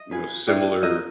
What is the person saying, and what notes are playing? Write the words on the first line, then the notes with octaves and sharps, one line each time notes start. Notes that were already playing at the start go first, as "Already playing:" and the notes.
you know, similar
Already playing: D#5
F4 G#4 B4
E4 G4 B4 D5
F4 A#4 D#5